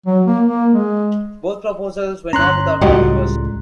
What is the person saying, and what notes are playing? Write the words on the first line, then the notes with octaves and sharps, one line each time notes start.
Both proposals were not without controversy.
F#3
A#3
A#3
G#3
G1 C#4 A#5 C6 F#6
C#2 A2 G3 F#4 G4 D#5